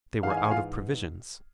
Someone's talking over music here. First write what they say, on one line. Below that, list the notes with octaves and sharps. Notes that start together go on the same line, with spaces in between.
They were out of provisions.
G#2 E3 G#3 F5
G#5
F5
G#5
F4 F5